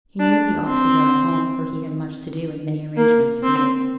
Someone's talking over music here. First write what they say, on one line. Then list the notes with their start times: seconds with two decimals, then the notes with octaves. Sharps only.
He knew he ought to be going home, for he had much to do, and many arrangements to make.
0.20 D4
0.66 C4
2.97 A#3
3.43 C4